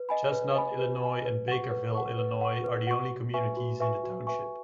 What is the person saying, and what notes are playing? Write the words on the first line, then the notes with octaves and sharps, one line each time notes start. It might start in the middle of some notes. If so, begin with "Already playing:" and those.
Chestnut, Illinois and Bakerville, Illinois are the only communities in the township.
Already playing: B4
D#5 G#5 B5
B4
D#5 G#5 B5
B4
D#5 G#5 B5
B4
F#5 C#6
B4
F#5 C#6
B4
F#5 C#6
B4
F#5 C#6
F#4
B4 E5 G#5 C#6
F#4
B4 E5 G#5 C#6
F#4
B4 E5 G#5 C#6